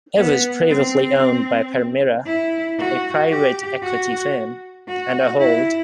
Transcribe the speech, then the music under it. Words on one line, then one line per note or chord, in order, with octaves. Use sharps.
It was previously owned by Permira, a private equity firm, and Ahold.
B3
C4
E4
F#4
G4
F#4
F#4
E4